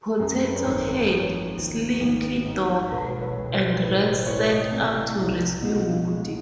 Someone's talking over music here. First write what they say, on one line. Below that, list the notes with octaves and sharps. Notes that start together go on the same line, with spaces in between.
Potato Head, Slinky Dog, and Rex set out to rescue Woody.
F#2 G#4 A#4
A4 B4
C#5
G#1 A#4 C5
A4 B4
F3 B4 C#5
D#2
G#1
G#2
E1 A4 B4
B4 C#5
E1
A#4 C5
C5
A1 A4 B4
A#4 C5
C5
A1 B4 C#5
C#5 D#5
C3 D5 E5
C2
B2
G#3